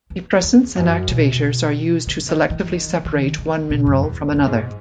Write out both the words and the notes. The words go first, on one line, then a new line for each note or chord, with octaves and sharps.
Depressants and activators are used to selectively separate one mineral from another.
E2
E2
F#2
B2
C#3
D#3
E3
D#3
D#3
C#3
B2
F#2
E2
F#2
G#2